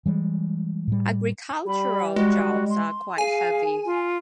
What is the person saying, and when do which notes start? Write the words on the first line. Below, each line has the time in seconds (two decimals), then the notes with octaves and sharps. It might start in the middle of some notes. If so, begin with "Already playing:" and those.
Agricultural jobs are quite heavy.
0.06 E3 G3 G#3
0.88 A2 G3
1.67 G3 B5
2.16 G#3 F#4
2.70 C6
3.18 G#4 F5 G#5
3.86 F4